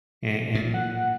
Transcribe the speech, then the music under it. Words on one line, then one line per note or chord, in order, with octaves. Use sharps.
And and
A#2
F#5